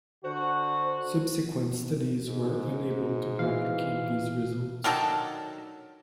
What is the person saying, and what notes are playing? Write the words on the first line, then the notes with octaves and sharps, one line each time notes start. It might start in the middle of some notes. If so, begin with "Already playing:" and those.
Subsequent studies were unable to replicate these results.
D3 F#4 C5
G#2
E3 F5
D#3 F#3 D4 A4